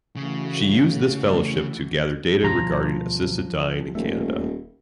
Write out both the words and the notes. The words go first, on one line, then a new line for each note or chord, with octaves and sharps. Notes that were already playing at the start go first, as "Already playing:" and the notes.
She used this fellowship to gather data regarding assisted dying in Canada.
C#3 E3 A3 F#4
D2 B2 F3 G3 A#5
D#1 A3